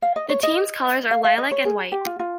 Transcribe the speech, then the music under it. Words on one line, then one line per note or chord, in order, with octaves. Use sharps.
The team's colours are lilac and white.
F5
D#5
C#5
D#5
F5
F5
D#5
C#5
G#4
G4
F4
F4